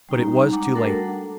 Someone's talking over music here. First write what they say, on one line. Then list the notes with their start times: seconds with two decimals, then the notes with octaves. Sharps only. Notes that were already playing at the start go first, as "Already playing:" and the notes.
But it was too late.
0.09 G3 C#4 D#4 A#5
0.52 G#3 F#5 A#5 D6
0.75 G3 A3 D4 F#4 A4 A#4
1.08 F#5